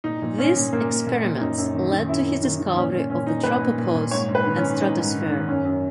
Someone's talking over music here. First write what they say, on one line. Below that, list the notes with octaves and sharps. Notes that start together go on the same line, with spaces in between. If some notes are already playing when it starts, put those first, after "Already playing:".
These experiments led to his discovery of the tropopause and stratosphere.
A#2 D#4
A#2
A#2 C#4
A#2
A#2 A#3
A#2
A#2
A#2
F#2 D#4
F#2
D#3
D#3
F#2 E4
F#2
D#3
D#3
A#2 C#4
A#2 C#4
A#2 C#4
A#2 D#4
A#2 B4
A#2
A#2
A#2
G#2 C#5
G#2
B4
D#3
C#4
D#3
G#2 D#4
G#2
D#3
D#3
F#2 C#4
F#2